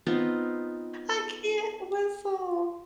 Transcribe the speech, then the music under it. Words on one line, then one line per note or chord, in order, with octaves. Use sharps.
I can't whistle.
B3 C4 D#4 F4